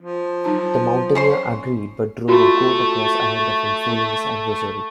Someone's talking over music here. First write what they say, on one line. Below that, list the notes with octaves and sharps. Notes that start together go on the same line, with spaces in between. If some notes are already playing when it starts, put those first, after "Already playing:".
The mountaineer agreed, but drove a goat across ahead of him, fooling his adversary.
F3
F#3 D#4 A5
C#4 C5 C6
A3 F4 F#4